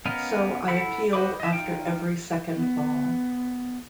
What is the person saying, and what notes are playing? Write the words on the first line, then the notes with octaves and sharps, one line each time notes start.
So I appealed after every second ball.
B3 C#4 A#4 D#5 F5
E4 A4 F#5 B5
F#4 C5 D#5 B5 D6
D#5 E5
D#4 F4 G5
B3